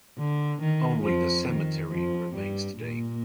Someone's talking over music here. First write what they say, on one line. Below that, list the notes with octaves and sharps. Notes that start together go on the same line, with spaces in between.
Only the cemetery remains today.
D3
D#3
F2 F3
D#3
F2 F3
G2 G3
A#2 A#3